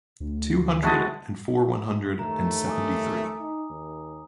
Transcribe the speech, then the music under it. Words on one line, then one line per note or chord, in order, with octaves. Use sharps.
Two hundred and four one hundred and seventy-three.
D2
G#3 C#4 E4 F#4 A5 D#6
D#2 A3 A#5
G#5 D6 D#6
D#4
D#2